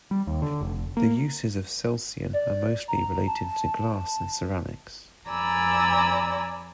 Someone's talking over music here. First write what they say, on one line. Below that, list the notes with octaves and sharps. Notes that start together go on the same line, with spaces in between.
The uses of celsian are mostly related to glass and ceramics.
G3
D#2
D3
F1
A#3
D5
A#5
A5
F2 D5 G#5 A#5 B5 E6